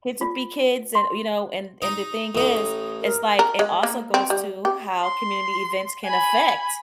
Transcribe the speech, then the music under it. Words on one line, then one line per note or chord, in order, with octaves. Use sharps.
kids will be kids and you know, and and the thing is, it's like, it also goes to how community events can affect,
F4
C6
D#4
A1 D#4
A#4
A#4
G#3
A#3
C4
G3
G4
C6
G#5 B5